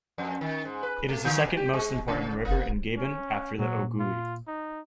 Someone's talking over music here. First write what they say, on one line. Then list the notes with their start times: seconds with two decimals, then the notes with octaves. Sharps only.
It is the second most important river in Gabon after the Ogooue.
0.18 F2
0.41 D#3
0.65 G#2
0.83 B4
1.09 A3
1.25 D3
1.44 B2
1.57 G4
1.73 G#3
2.08 C#3
2.45 A#3
2.98 C#4
3.59 A#2 F#3
4.00 F4
4.47 D#4